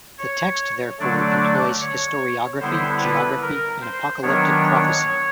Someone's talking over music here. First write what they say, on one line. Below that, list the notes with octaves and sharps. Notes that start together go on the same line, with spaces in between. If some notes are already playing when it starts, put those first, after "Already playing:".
The text, therefore, employs historiography, geography, and apocalyptic prophecy.
C#5
D3 F#3 A3 D4 D5
C#5
D3 G3 B3 E4 C5
B4
A#4
C5
D#3 F#3 B3 D4 C#5